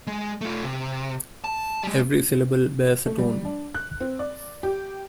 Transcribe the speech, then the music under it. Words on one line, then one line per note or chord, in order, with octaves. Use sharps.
Every syllable bears a tone.
G#3
A3 F4
C3
A5
G3 G#3
A3
G3
D4
F#6
C4
D5
G4